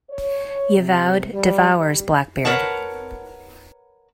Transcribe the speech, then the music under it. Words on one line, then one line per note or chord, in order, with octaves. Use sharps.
Yevaud devours Blackbeard.
C#5
C3
G3
G3
A#4 B4 C#5 F#5 A5